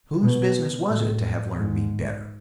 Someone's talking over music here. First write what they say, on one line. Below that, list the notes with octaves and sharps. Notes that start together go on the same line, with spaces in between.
Whose business was it to have learned me better?
B2
A2
G#2